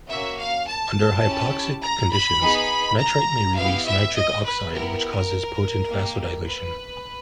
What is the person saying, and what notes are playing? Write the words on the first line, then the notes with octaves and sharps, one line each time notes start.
Under hypoxic conditions, nitrite may release nitric oxide, which causes potent vasodilation.
A#3 C#4 F#4 E5
F5
A5
C#4 E4 G4
A#5
B5
B3 D#4 G#4
A#5
B3 E4 G4 F5
E5
D#5
B4
B3 E4 G4 A#4
A#3 D#4 G4
B4